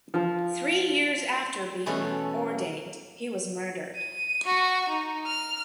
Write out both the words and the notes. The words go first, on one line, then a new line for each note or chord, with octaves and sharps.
Three years after being ordained, he was murdered.
F3
B2 E3 A3 B3 C#4 A4
D#7
F#4 C#6
D#4
F6